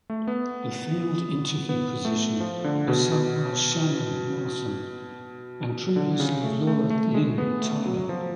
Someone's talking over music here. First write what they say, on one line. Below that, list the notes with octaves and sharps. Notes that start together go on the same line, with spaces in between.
The field interviewer position was held by Shannon Nelson, and previously Laura-Lynn Tyler.
A3
B3
B3
A3
F3
D3
B2
B2
D3
C#3
A3
A3
A3
G#3
B3
A3
F#3
F3